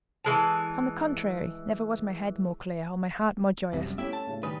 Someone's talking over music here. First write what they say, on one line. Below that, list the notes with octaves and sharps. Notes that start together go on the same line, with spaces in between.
On the contrary, never was my head more clear, or my heart more joyous.
E3 G#3 A5
C2 F2 G3
F#2
A3 C#4 E4 G4 E5
A5
A1 A2 C#3
D#3 G3 B4 G#5 D#6